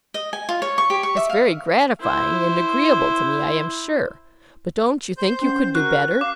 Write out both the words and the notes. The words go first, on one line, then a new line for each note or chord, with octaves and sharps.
It's very gratifying and agreeable to me, I am sure; but don't you think you could do better?
D#5
G#5
F4
C#5
C#6
G4
C#6
E5
F5
E4 C5
C5 G6
C#4 F#5
F#4 A#4 F#5 C#6 F#6
F5 D6